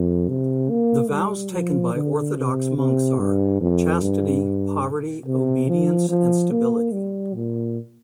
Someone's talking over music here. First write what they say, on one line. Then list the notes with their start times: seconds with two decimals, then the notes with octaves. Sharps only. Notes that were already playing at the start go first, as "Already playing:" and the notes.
The vows taken by Orthodox monks are: Chastity, poverty, obedience, and stability.
Already playing: F2
0.29 C3
0.70 A#3
1.11 G3
1.53 F3
1.94 D3
2.36 C3
2.78 C3
3.19 G2
3.61 F2
4.01 G2
5.26 C3
5.68 F3
6.09 F3
6.51 A#3
6.92 G3
7.34 A#2